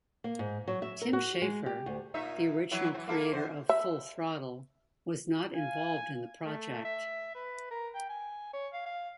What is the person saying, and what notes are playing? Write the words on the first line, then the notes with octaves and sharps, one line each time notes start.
Tim Schafer, the original creator of "Full Throttle", was not involved in the project.
A#3
G#2
F#3
E5
A#4
F#4
G#3
G4
D2
A#2 D#4 E5
E3 F#3 E4
E3 C4
A#3 E4 A4
E2 C5
E5
F5 G#5
A3
E5
B4
A#4
G5
G#5
C#5
F5
F5